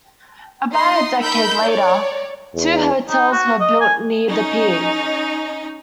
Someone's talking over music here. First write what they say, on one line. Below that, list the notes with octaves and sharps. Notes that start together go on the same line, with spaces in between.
About a decade later, two hotels were built near the pier.
D#4 D#5 C6
D#4 A#4 B5 E6 G6
C#5 D5
E2
D#4
F#4
D#5
G#5
C#4 D#4